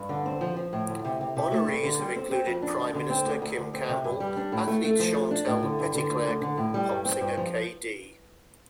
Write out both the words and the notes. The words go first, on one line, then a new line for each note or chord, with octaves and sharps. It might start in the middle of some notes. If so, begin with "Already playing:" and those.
Honorees have included Prime Minister Kim Campbell, athlete Chantal Petitclerc, pop singer k.d.
Already playing: G2
D3
C4
F3
F3
A2
D2
C3
C3
C3
A3
G2
D3
G3
C4
C4
F2
D4
D2
D3
C4
D2
D2
D2
C4
C3
G2
G3
D4
A2
A3
A3
F3
F3
D4
A2
D3
G2
D3
D2
D2
D3
A2
G3
G2
C4
G2
F3